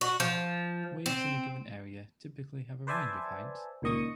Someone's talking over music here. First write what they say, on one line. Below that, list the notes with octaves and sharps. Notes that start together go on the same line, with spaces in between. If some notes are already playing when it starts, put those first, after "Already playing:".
Waves in a given area typically have a range of heights.
F#4
F3
C4
B4 C5 D5 E5 G#5 A5
C#2 A#2 D#3 D#5 C#6 D#6